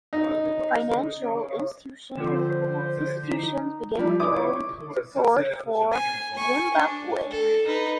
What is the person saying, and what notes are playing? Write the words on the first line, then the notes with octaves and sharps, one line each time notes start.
Financial institutions began withdrawing support for Zimbabwe.
D#4
D3 F3 C4
C5
D#4
F3 G3
E4 C#5 D6 D#6
G#5
G#5 C#6
D4
A4
D#4 B4